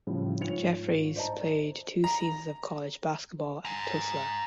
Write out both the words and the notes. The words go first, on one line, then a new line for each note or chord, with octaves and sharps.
Jeffries played two seasons of college basketball at Tulsa.
A2 C#3 F3 G3
G#2 F4 C#5 C#7 F7
C5 D5 D#5 A5 A#5
A#5
G#5 A#5